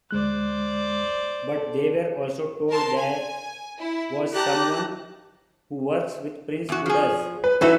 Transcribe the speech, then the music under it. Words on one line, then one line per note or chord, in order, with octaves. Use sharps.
But they were also told there was someone who works with Prince who does.
D2 G#3 C5 D5 F#6
A4
A#4 A5 C6
G#5
E4
G4 A5 A#5 F#6
E2 F#4
F3 G#4
B4
E3 D#4 F#4 A4 B4 E5